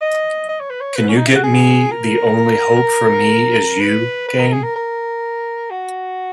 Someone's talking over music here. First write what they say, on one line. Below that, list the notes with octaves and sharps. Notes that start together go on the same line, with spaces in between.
Can you get me The Only Hope for Me Is You game?
D#5
D#5
C#5
B4
C#5
B4
C#4
D#4
E4
F#4
G#4
A#4
B4
B4
A#4
G#4
A#4
A#4
F#4